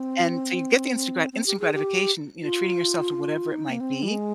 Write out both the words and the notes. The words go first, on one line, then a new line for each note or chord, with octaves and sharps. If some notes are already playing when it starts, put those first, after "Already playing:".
And so you get the instant grat instant gratification, you know, treating yourself to whatever it might be,
Already playing: C4
C4
G4
G#4
G4
F4
D#4
A#3
C4
G3
G#3